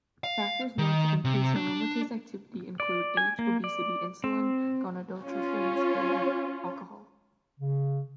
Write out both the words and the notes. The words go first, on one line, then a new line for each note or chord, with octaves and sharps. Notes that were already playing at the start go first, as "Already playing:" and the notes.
Factors known to increase aromatase activity include age, obesity, insulin, gonadotropins, and alcohol.
F5
D#3
C3
D4
D5
G#5
A#3
D5
C4
C#4 F4
C#3